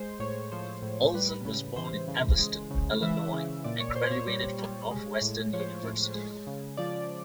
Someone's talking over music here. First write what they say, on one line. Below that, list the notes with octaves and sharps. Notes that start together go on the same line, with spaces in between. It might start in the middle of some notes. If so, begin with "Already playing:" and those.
Olson was born in Evanston, Illinois, and graduated from Northwestern University.
Already playing: G#3 C5
A2 C#5
F3 C5
A2
G3 B4
C#3
E3 C5
C#3
G#3
C#3
E3 E5
C#3
A#2 D5
C#5
A#2 C5
C#5
G3
G3
G#3
A2
F3 C#5
C5
C#5
A2
G#3
C#3
F3 D5